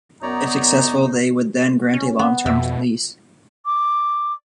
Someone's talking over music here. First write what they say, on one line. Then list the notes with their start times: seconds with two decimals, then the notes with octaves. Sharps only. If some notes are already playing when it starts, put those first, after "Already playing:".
If successful they would then grant a long-term lease.
0.23 F#2 B3 D#4 C#5 D5 A#5
1.93 C#4
2.19 B3
2.46 F2 B2 E5
3.66 D6